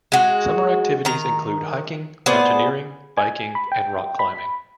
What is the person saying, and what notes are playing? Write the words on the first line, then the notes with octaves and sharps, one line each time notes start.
Summer activities include hiking, mountaineering, biking and rock climbing.
G#3 F#4
D#3 A#5
B3 G#4 C5 D5
G#5
B5
G5
B5